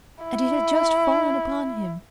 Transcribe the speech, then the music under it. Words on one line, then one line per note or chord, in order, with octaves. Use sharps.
And it had just fallen upon him.
E4